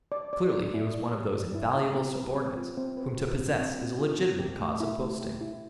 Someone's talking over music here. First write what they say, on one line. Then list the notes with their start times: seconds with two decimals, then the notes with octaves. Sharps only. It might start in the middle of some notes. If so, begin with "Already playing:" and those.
Clearly he was one of those invaluable subordinates whom to possess is a legitimate cause of boasting.
0.12 D5
0.33 D5
0.52 D5
0.74 E4
0.94 D5
1.14 G4
1.35 D5
1.55 E4
1.75 E4
1.95 C4
2.15 B4
2.36 C4
2.57 F4
2.77 C4
2.97 B4
3.17 F4
3.39 C4
3.58 C4
3.78 C4
3.99 F4
4.20 C4
4.39 G4
4.60 A3
4.80 E4
5.01 A3
5.21 G4
5.41 E4